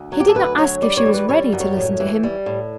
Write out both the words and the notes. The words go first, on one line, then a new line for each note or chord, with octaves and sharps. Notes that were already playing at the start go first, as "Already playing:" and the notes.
He did not ask if she was ready to listen to him.
Already playing: D2
F#3
G4
A4
D2 B4
F#3 C#5
G3 D5
C#5
E3
B4
G3 C#5
F#2
C#5
A2
E3
G3
A2